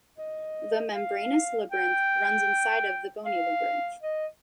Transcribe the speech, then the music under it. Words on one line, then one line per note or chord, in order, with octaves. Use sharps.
The membranous labyrinth runs inside of the bony labyrinth.
D#5
F5
G5
F5
D#5